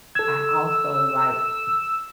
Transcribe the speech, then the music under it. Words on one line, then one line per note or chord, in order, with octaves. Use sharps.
I also like,
A4 E6 G#6